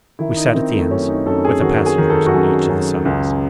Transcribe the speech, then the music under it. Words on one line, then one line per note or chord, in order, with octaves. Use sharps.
We sat at the ends, with the passengers on each of the sides.
D#3 E4
D#4
D#3 C4
A3
F#2 C#4
D#4
F#2 A4
G#4
D#3 F#4
G#4
D#3
A4
F#4
F#2 G#4
F#2
C#2